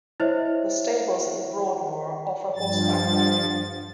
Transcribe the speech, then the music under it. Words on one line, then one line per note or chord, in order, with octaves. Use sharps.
The Stables at the Broadmoor offer horseback riding.
E4 C5 C#5 D#5 E5
G2 F3 A6